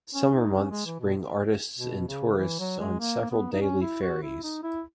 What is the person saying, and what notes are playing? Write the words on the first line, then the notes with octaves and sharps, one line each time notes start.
Summer months bring artists and tourists on several daily ferries.
C#4
D#4
C#4
G#3
E3
B2
B2
C#3
E3
F#3
G#3
A#3
B3
D#4
C#4
E4
F#4
E4
D#4
E4